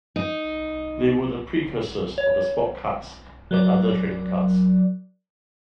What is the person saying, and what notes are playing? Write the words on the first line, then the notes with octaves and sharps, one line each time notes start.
They were the precursors of the sport cards and other trading cards.
D#4
C#5
F#3 A#4 D5